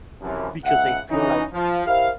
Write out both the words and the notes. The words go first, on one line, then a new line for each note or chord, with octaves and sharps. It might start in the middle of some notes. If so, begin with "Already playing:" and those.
because they feel like
F#2 C3 E3 F3
C#2 E5 F#5
E3 C#4 D#4 F#4
F3
E4 G4 A#4 C5 F5